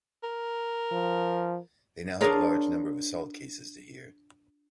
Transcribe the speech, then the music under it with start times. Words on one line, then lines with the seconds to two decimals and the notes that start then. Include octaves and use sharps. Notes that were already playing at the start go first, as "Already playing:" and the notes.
They now had a large number of assault cases to hear.
0.23 A#4
0.92 F3
2.21 D4 F4 G#4 A#4 C#5